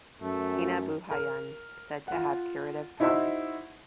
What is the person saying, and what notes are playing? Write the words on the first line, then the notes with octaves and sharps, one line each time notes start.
Kinabuhayan, said to have curative powers.
F#2 A3
A#4
F4 F#5
D#4 E4 F#4 C5 E5